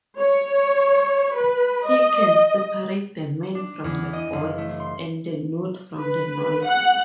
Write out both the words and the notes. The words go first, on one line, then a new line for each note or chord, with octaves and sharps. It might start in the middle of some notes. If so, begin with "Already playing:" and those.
He can separate the men from the boys and the note from the noise.
C#5
B4
D#5
D4
E2
D#5
F#1
A3
C6
B4
F#5